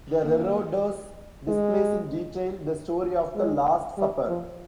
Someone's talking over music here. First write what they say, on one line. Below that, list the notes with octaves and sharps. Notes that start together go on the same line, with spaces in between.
The reredos displays in detail the story of the Last Supper.
A#3
G#3
G#3
G3
F3